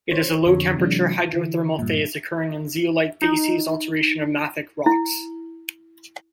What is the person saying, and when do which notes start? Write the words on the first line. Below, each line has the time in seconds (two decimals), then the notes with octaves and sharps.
It is a low-temperature hydrothermal phase occurring in zeolite facies alteration of mafic rocks.
0.10 F4 C5 C#5
0.46 F2 D3 C#5
0.76 C3 E3 F#3 G#3 D4
1.33 D3 E3
1.79 G2 A#2
3.22 D#4
4.86 E4